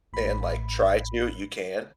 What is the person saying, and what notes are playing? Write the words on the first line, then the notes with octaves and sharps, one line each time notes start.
and, like, try to, you can,
A1 A2 B5